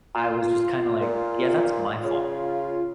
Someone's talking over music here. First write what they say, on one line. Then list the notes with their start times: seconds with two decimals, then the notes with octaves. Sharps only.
I was just kinda like, "Yeah, that's my fault."
0.15 F4
1.02 A#2
2.05 C#3